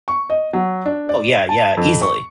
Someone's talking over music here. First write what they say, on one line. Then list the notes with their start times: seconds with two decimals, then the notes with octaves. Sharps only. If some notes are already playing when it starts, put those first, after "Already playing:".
Oh yeah, yeah, easily.
0.08 C#6
0.30 D#5
0.53 F#3
0.85 D4
1.09 D5
1.49 A5
1.77 F2
2.02 C#6